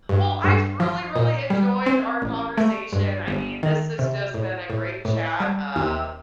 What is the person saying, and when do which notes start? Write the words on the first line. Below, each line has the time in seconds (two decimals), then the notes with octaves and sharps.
well I've really, really enjoyed our conversation, I mean this has just been a great chat, um,
0.09 G2
0.44 G2
0.80 F3
1.16 A#2
1.50 G3
1.86 C4
2.22 A1
2.58 A3
2.93 G2
3.28 G1
3.63 D#3
3.99 C3
4.34 A2
4.70 A2
5.05 A2
5.40 G3
5.76 D#2